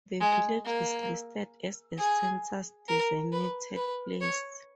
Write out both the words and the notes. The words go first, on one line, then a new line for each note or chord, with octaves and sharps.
The village is listed as a census-designated place.
G#3
A#3
G#4
A#4
B4
B4
C#5